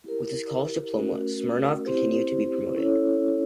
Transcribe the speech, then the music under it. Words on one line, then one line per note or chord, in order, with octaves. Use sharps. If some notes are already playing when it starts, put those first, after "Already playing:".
With his college diploma, Smirnov continued to be promoted.
E4 G4 A#4
A3 C#4 F#4 A#4
C4 E4 G4 C5
C#4 E4 A4 C#5